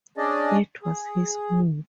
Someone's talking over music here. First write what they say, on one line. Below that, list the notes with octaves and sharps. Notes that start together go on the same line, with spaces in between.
It was his move.
C#4 D4 G#4 D5 D#5
G#4